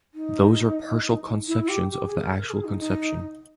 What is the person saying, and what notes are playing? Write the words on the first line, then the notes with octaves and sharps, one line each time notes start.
Those are partial conceptions of the actual conception.
D#4
E4
E4
G4
G4
G#4
A#4
A#4
G#4
D#4
D#4